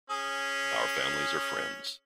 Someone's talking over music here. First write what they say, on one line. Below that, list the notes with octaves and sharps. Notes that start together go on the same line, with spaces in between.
Our families are friends.
C#4 G#4